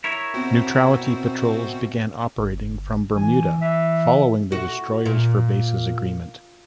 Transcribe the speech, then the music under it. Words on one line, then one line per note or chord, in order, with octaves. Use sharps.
Neutrality Patrols began operating from Bermuda following the Destroyers for Bases Agreement.
E4 A#4 C#5
B2 C4 F#4
G1
E3 G#5
E5
F#4
A#2